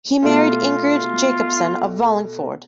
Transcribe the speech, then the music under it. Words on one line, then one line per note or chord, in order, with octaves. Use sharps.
He married Ingrid Jacobson of Wallingford.
B2 A3 F4